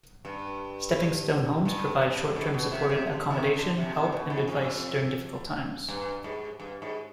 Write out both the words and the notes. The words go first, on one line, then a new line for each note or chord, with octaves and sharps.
Stepping Stone Homes provide short-term supported accommodation, help and advice during difficult times.
G2
G2
G2
G#2
B2
C3
C3
D3
C3 D#3
D3
C3
C3
B2
G#2
F2
G2
G#2
G2
G#2